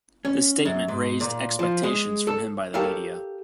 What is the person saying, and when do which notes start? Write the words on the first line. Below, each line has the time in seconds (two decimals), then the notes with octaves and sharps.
This statement raised expectations from him by the media.
0.25 C#4
0.65 F#2
0.88 G#2
1.21 A#2
1.59 F3
1.83 G#3
2.27 A4
2.74 G4 A4 A#4 C#5 F5